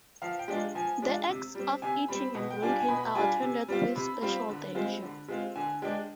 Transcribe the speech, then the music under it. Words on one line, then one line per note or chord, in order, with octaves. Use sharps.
The acts of eating and drinking are attended with special danger.
F3 F5
G5
G#3 D4 F4
F3 G#5
G#3 D4 F4
C3
G3 C4
C3 G#5
G3 C4 B5
B2
G5
G3 D4 F4 G#5
G#5
B2 B5
B5
G3 D4 F4 G#5
C3
G3 C4 F4
C3 B5
G3 C4 F4 B5
D3
G#3 C4 F4
D3
G#3 C4 F4
D3 G#5
G#3 D4 G5